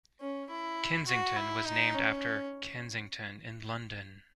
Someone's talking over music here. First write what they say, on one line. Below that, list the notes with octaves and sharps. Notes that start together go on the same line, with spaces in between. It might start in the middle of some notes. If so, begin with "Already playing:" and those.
Kensington was named after Kensington in London.
C#4
E4
F#4
E4
D#4
C#4